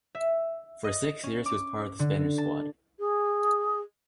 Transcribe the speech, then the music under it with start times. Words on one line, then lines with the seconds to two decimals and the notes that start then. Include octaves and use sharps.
For six years he was part of the Spanish squad.
0.15 E5
0.84 D#5
1.23 C#4
1.46 D6
1.99 D3
2.38 A5
2.99 G#4